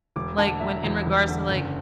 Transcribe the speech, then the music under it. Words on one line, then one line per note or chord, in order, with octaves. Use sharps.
like, when in regards to, like,
E1 D6
D3 A5
F#3 E5
E2
E1
D3
F#1